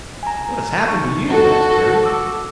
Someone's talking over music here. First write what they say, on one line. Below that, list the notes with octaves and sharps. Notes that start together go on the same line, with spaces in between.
"What has happened to you?" asked Harry.
G#5 A#5
D#4 C#6
F#4 A4
D6 E6